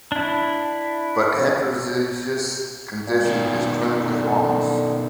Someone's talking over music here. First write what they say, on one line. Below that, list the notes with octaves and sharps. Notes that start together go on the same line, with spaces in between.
But heterozygous condition is clinically harmless.
D4 E4
A#2
B2 D#3
D3